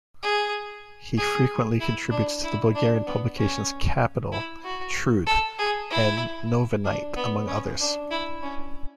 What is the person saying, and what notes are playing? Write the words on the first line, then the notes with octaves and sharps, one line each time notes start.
He frequently contributes to the Bulgarian publications "Capital", "Trud" and "Novinite", among others.
G#4
G#4
E4
D4
E4
D4
B3
C#4
E4
F#4
A4
G#4
E4
D4
B3
C#4
D4
E4
C#4